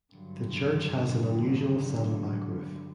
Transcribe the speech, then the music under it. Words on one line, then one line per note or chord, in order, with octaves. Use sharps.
The church has an unusual saddleback roof.
G2 D3 F#3